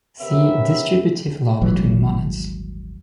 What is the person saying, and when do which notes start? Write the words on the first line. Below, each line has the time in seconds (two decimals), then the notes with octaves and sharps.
See: distributive law between monads.
0.21 C#3 B3 C#4 G4 A#4 E5
1.61 D#1 G#1 E3 F#3